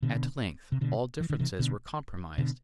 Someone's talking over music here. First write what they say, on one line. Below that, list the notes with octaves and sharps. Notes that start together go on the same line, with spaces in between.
At length all differences were compromised.
B2 D3
C3
B2 D3
E3
D3
C3 E3
B2 D3
B2 D3